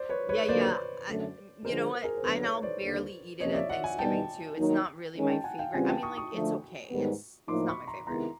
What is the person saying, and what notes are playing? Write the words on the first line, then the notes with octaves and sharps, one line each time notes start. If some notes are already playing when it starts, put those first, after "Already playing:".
Yeah. Yeah. Uh, n you know what? I, now, barely eat it at Thanksgiving too, it's not really my favorite. I mean, like, it's okay, it's it's not my favorite.
Already playing: C5 D5
B4 C#5
B4 C#5
D#2 D3 F#3 A#3 C5 D5
F#2 D3 F#3 A3
D3 F3 G#3 A#4 C5
G#4 A#4
C5
D3 F#3 B3 A4 B4
B4 C#5
C5 D5
D#2 D3 G3 A#3 D4
F2 C3 F3 A#3 C#4 C#5 D#5
D5 E5
E5 F#5
F#5 G#5
E2 B2 G3 B3 D#4 G5 A5
D#3 F#3 A#3 D#4
D#3 G#3 C#4
G5 A5
F#5 G#5
F5 G5
C#3 E3 G3 C4 F4 F#5 G#5
G5 A5
C#6 D#6
C#6 D#6
D3 F3 A3
G#2 D#3 G3 B3
A2 F3 A#3 D#4 C6 D6
B5 C#6
A#5 C6
C3 D#3 G#3 B3 E4 A#5 C6